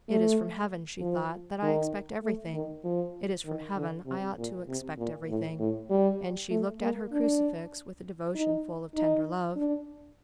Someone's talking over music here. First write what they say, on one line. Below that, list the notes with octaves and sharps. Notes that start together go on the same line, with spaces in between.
"It is from Heaven," she thought, "that I expect everything; it is from Heaven I ought to expect everything." And she looked at her crucifix with a devotion full of tender love.
A3
F3
D#3
A3
D#3
F3
D#3
D3
C3
A#2
C3
A#2
A2
A2
G3
A3
A#3
D4
D#4
D#4
D4